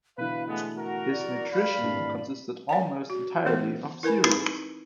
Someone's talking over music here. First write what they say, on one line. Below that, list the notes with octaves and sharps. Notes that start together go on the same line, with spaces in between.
His nutrition consisted almost entirely of cereals.
B2 D3 E3 B4 F5
G#3 A3 B3
F#4 A#4
D5
G2 F5 B5
G#1 A2 D4
C#5 D5 G#5
F#4
E3 B3 A4 C5
E4 A#4 B4 G#5 B5
C4 D#4 B4